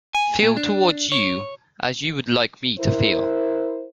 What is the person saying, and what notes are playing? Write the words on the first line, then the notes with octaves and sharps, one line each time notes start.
Feel towards you as you would like me to feel.
G#5
A#2
D4
C#5
E4 A#4 C5